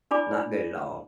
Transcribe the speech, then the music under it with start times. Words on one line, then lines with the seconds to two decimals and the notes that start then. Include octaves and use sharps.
not good at all.
0.11 D4 E4 D5 G#5 B5 D6